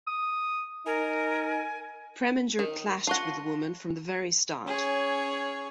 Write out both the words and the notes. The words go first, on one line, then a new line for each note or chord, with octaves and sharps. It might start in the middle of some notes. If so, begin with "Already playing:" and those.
Preminger clashed with the woman from the very start.
D#6
D#4 A#4 G#5
D#3
F4 F#5 A5 C#6 A#6
C#4 G#4 C#5